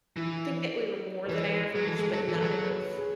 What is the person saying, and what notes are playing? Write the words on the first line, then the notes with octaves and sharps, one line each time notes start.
I think that we were more than average, but not enough.
E3 E4
C#5
E3 B4
B4
F#3 G#4
E3 A4
G#3 G#4
F#3 A4
E3
A4
F#3 G#4
C#5
B4
G#4